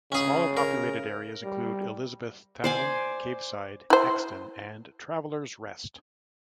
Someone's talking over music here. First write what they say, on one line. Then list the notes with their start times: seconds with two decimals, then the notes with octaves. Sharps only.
Smaller populated areas include Elizabeth Town, Caveside, Exton and Travellers Rest.
0.12 C#3 C#4 G#4
0.57 A#4
1.44 G3
2.64 C5 D5 G#5
3.90 E4 C5